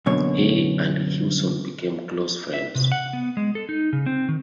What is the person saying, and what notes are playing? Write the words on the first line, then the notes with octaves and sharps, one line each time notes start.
He and Hewson became close friends.
F#2 B2 D3 A#3 C#5
E5
C3
F#5
B3
G#3
A4
D#4
C#3
C4
D#3